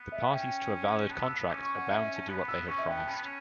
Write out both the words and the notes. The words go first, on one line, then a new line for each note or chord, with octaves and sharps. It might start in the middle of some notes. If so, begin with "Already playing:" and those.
The parties to a valid contract are bound to do what they have promised.
Already playing: B3
E5
C#4 G5
B3 A5
E6
C#4 D6
C#6
F#5
E5
A5
B3 B5
E6
C#4 C#6
E5
B3 G5
A5
C#4 B5
B3
C#4